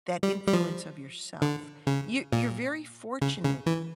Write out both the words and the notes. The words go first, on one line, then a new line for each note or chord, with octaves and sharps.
that influence of yourself. You you're fortunate
G3
G3
F3
D3
C#3
A#2
C#3
C#3
E3